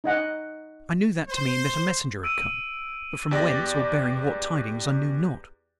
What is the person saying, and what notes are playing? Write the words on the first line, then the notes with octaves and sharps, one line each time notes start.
I knew that to mean that a messenger had come; but from whence or bearing what tidings I knew not.
D#4 D#5 F#5 G#5
C5
E6 D7 D#7
E2 G4 D5 G5 A6 A#6